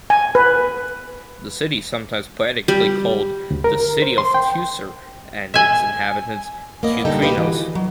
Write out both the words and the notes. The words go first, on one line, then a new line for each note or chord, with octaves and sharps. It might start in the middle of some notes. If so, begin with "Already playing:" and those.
The city is sometimes poetically called "The City of Teucer" and its inhabitants "teucrinos".
G#5
B4
G3
D2
A#4
C5
C6
G5
E5 G#5
A#3 B3 C#4 D#5
D3 G3 D#4 A4 G5
G4 B4 C5 D#5 F5
E3 F#4
F#3